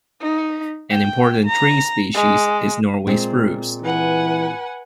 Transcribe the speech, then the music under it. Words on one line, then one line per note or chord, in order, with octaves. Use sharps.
An important tree species is Norway Spruce.
D#4
G5
A#5
G#3
A#2 G#3 C4
E3 B4 F#5 G#5